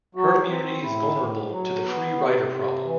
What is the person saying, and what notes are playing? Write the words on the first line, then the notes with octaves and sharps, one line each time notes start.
Herd immunity is vulnerable to the free rider problem.
F#3 F#4
C4
A2 E4
A2
F#3
B3
C3
C3
E3